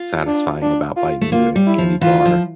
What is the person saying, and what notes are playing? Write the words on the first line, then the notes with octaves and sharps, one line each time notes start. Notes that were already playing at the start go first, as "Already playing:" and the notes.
satisfying about biting into a candy bar,
Already playing: F4
D4
D4
F4
A3
A#3 F4
G3
E4
F3
E3 F4
F3